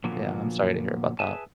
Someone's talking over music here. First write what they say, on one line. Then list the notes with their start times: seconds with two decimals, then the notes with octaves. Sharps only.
Yeah. I'm sorry to hear about that.
0.04 A#2 D3 F3 F#3 A#3 B3
1.19 G#4 B4 E5 G#5 A5